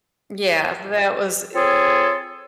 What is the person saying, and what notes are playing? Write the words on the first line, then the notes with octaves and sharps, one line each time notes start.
Yeah, that was, i
C4 F4 G#4 A4 C#5